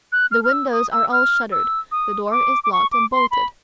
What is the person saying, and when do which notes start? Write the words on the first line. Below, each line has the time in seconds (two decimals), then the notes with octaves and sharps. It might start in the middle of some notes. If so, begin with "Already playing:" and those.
The windows are all shuttered, the door is locked and bolted.
0.12 F#6
0.31 F6
0.44 F6
0.53 E6
0.72 D#6
0.92 E6
1.12 F6
1.52 E6
1.91 D#6
2.31 D6
2.64 D6
2.72 C#6
2.92 D6
3.12 C6
3.31 B5